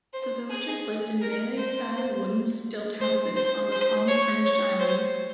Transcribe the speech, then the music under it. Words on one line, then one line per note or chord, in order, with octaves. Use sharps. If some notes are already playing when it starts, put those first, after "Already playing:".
The villagers lived in Malay-style wooden stilt houses on the palm-fringed islands.
C5
G#4
A#4
C5
C5
C5
C5
C#5
C#5
C5